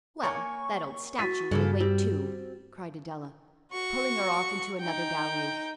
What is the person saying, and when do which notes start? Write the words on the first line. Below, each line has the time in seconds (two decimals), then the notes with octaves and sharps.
"Well, that old statue will wait, too," cried Adela, pulling her off into another gallery.
0.23 A#3 C#5 G#5 C#6
1.19 F#4 A6 B6 D#7
1.51 G2 C#3 A#3 A4
1.80 G3 C4
3.71 F#4 C#6
4.79 D#4 G5